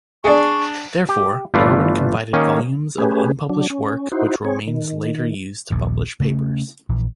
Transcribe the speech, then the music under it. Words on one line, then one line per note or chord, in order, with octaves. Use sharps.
Therefore, Darwin confided volumes of unpublished work which Romanes later used to publish papers.
D4 G#4 D5 C#6
G4
G1 E3 A3 F4 B4 D5
D#3 A#3 C#4 D#5
A3 C#4 G4 G#4 B4
F#3 D4
C#4
D#4 E4 F#4 C5
C4 G#4 C#5
D#3
D#1 A#1 D#2 A#2
C#3 A3 C#4
A#1 E3